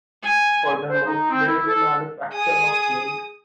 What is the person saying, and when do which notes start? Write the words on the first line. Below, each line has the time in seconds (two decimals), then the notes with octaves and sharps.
Furthermore, there is a manufacture of cement.
0.23 G#5
0.90 C5
1.06 D#4
1.31 C4
1.46 E4
1.67 A4
2.33 G#4 G#5 D#6